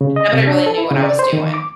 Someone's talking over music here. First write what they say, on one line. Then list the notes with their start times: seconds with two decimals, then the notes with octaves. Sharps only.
Nobody really knew what I was doing.
0.01 C#3
0.16 D#5
0.33 C3
0.47 D4
0.66 A4
0.78 E4
0.91 C#3
1.03 D5
1.19 C5
1.33 D#3
1.54 D6